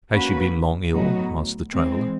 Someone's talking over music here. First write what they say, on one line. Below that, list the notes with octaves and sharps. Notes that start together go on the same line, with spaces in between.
"Has she been long ill?" asked the traveller.
A#3 C#4 F#4 B4
A2 F#3 B3 D#4 F#4
E3 G#3 C4